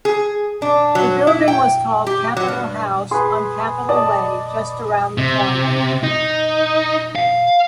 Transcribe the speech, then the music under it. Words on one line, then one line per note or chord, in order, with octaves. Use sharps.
The building was called Capitol House on Capitol Way, just around the corner.
G#4
D4
F#3
E4
G5
G4
F#3
G2
G#4 B4 C6
D5 D#5 A5
C3
D#4
F5